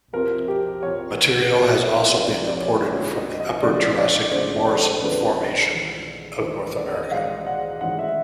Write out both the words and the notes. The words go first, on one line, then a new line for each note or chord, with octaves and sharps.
Material has also been reported from the Upper Jurassic Morrison Formation of North America.
F2 C3 F3 A#4
G4
F2 C3 F3 C#5
F2 C3 F3
E5
F2 C3 F3 D5
D5
C#5
F2 D3 F3 G#3 C#5
D#5
D#5
F2 D3 F3 G#3 D5
D5
C#5
F2 D3 F3 G#3 C5
A4
F2 D3 F3 G#3 B4
A1 G#2 D#3
A1 G#2 D#3 C5
D5
D#5
A1 G#2 D#3 F5
F#5
A1 G#2 D#3 F#5
E5